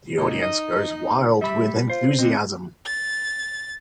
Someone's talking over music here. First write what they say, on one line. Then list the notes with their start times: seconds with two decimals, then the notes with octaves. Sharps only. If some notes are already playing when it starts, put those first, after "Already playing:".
The audience goes wild with enthusiasm.
0.18 C#2 A#2 D#4
0.43 D#5
1.41 G3 E5 B5
1.90 F4 C5
2.19 D3 C4 D#5
2.86 A6